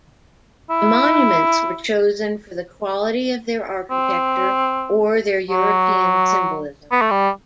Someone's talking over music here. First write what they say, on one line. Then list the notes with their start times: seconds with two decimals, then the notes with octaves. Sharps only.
The monuments were chosen for the quality of their architecture or their European symbolism.
0.70 E4
3.91 C4
5.51 F#3
6.92 B3
7.01 A3
7.11 G3